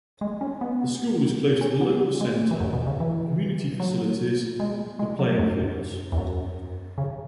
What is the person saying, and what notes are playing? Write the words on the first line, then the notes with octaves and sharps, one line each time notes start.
The school is close to the Local Centre, Community Facilities, the playing fields.
G#3
C#4
B3
C#4
B3
G#3
E3
F#2
B2
C#3
E3
F#3
G#3
G#3
F#3
F#2
E2
F#2
C#3